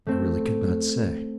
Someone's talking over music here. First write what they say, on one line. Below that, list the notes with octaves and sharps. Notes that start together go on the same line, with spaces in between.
'I really could not say.
A3 C4